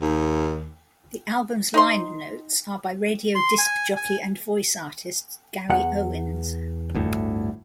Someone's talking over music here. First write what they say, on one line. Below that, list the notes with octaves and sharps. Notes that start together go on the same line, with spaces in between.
The album's liner notes are by radio disc jockey and voice artist Gary Owens.
D#2
D#4 C5 C6
C6
G#5
G#5
E2 F#5
G1 D2 A2